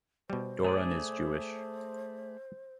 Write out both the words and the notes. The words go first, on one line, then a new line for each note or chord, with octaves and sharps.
Doron is Jewish.
B2 G3 C5
A3 G#4 D5